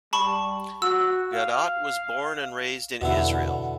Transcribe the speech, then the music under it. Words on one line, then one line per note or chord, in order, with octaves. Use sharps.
Gadot was born and raised in Israel.
G3 A5 B5 C#6
F#4 E6
F5
E2 B2 D3 E4